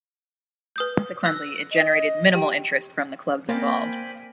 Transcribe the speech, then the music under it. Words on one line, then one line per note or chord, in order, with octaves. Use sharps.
Consequently, it generated minimal interest from the clubs involved.
B4 D#6 G6
E6 F#6 A#6
D#5
G4 G5
A#3 C4 D5 F5 G5 G#5 B5